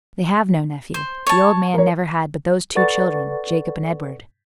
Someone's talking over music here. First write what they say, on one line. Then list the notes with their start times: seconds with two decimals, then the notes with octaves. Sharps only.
They have no nephew; the old man never had but those two children, Jacob and Edward.
0.94 C5
1.27 C#5 A5
1.74 A#4 C#5
2.75 A4 B4 D5 F#5 C#6 A6